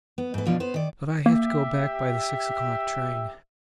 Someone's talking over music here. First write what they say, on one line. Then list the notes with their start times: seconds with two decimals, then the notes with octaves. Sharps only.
But I have to go back by the six o'clock train.
0.18 B3
0.34 G#2 B3
0.46 B2 F3 D4 F4
0.60 B3 C5
0.74 D#3 D5
1.26 A#3 G4 E5